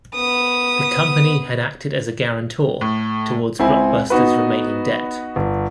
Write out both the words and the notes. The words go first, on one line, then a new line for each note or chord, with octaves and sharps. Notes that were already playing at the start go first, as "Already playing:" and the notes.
The company had acted as a guarantor towards Blockbuster's remaining debt.
B3 D#6
A2
C#2 C4 E4 G#5 B5
B3 D#4 F#4 B4
G1